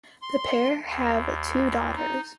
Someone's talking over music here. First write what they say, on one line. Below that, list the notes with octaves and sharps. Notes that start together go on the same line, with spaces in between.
The pair have two daughters.
C6
D#2
D#4